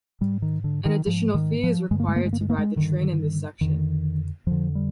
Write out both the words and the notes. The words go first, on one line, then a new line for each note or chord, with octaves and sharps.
An additional fee is required to ride the train in this section.
G#2 G3
D#3
D3
D#3
G#2 F3
D#3
F3
G2 D3 G#3
A#3
G#3
A#3
G#3
A#3
G#3
A#3
G#3
G2 D3 D#3
F2 D3 D#3
F2 D3 F3
G3